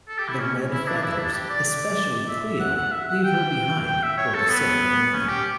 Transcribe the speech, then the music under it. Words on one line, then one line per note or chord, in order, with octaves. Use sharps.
The Red Feathers, especially Cleo, leave her behind for the sake of winning.
A4
G4
E4
C#4
E4
D4
D4
E4
D4
G4
D5
E5
E5
F#5
F#5
E5
F#5
G5
G5
E5
C#5
A4
B3
C#4
G4